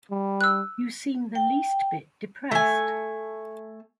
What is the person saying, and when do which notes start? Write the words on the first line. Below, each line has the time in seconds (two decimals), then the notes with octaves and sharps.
You seem the least bit depressed.
0.11 G3
0.41 E6 F#6
1.35 G5
2.51 A3 G#5